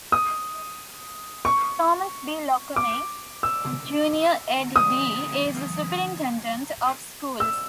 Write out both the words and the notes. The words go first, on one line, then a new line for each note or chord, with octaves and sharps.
Thomas B. Lockamy, Junior Ed.D., is the Superintendent of Schools.
D#6
C#6
D6
E6
D#6
E6